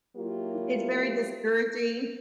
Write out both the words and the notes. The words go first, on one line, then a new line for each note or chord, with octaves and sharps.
It's very discouraging.
F#3 A#3 E4 F4 G4